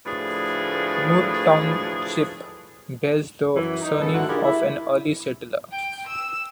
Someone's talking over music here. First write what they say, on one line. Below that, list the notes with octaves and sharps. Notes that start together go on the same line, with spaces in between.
Moore Township bears the surname of an early settler.
D2 A2 F3 G#4 B4 D5
F#2 E3
D#4
G#2 C#3 B3 A4
G#2 D3 E4 F#4 F#5
D4 E4 F4 G4 G#4 A#4
E4
G5
E6 E7